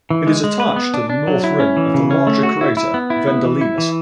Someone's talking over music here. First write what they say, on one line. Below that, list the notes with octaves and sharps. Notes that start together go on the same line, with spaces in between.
It is attached to the north rim of the larger crater Vendelinus.
E3
G#3
G#3
B4
B3
D4
D4
F#3
E4
C#4
E3
C#3
C#4
A3
F#4
E4
E4
B3
E4
B3
E3
E4
E3